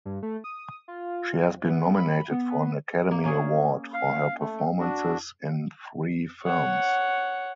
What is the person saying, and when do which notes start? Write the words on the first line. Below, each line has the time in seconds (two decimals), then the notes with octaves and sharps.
She has been nominated for an Academy Award for her performances in three films.
0.05 G2
0.23 A3
0.44 D#6
0.88 F4
1.65 B3
1.95 B5
2.31 B3
3.11 A#3
3.24 A#3 C#4 G#4
3.94 F5
4.39 A3
4.79 D4 F#4
6.43 C#5 F#5